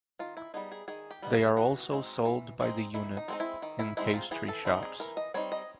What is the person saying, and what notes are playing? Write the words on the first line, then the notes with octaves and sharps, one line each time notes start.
They are also sold by the unit in pastry shops.
D#3 F4
E4
G3 B3 D#4 G#4
G#4
D#3 G#4
G4
G3 B3 D#4
G#4
E3 F#4
G#3 C4 D#4
E3
G#3 C4 D#4
D#3 E4
D#4
G#3 C4 D#4
E4
D#3
E4
G#3 C4 D#4 E4
F4
E3 G#4
A4
G3 C4 D#4
G#4
E3 A#4
D#5
G3 C4 D#4 C#5
D#5